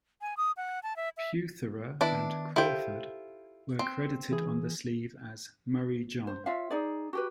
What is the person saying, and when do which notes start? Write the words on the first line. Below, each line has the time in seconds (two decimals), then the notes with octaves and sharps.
Peutherer and Crawford were credited on the sleeve as Murray-John.
0.21 G#5
0.37 D#6
0.57 F#5
0.83 A5
0.96 E5
1.17 E5
2.01 D#3 B3 D4 E4 B4 D5
2.56 E4 F4 G4 A4 C5 G5
3.79 C4
4.31 E3 G#4
6.27 C5
6.46 F4 C#5 E5 F5
6.70 D#4 G#4 D5
7.13 F#4 G4 B4